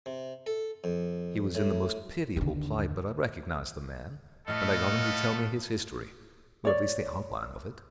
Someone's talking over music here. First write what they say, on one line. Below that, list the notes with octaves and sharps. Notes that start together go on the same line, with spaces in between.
He was in the most pitiable plight, but I recognized the man, and I got him to tell me his history, or at least the outline of it.
C3
A4
F2
A2
D#2 D3
A2 A3 B3 A4 D#5 F5 F6
C#5 D5